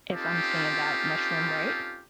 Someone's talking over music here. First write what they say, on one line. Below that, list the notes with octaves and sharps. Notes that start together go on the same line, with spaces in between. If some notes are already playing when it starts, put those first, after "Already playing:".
if I'm saying that mushroom right,
C4 C#4 D#4 F4 G4 A4